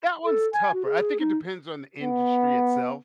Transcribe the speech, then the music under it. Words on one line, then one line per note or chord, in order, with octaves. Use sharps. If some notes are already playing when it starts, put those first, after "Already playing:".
that one's tougher. I think it depends on the industry itself.
A4
G#5
F#4
G#4
D#4
B3